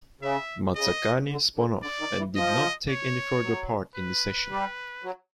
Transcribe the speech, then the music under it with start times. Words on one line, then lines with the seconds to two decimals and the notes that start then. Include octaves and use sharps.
Mazzacane spun off and did not take any further part in the session.
0.21 C#3 E5
0.75 C#3 D#5
1.29 D3
1.56 D3
1.81 D3 D5
1.99 D#3
2.18 E3
2.35 F3 D#5
2.89 C#5
3.42 F#3
3.95 B4
4.49 G3
5.03 F#3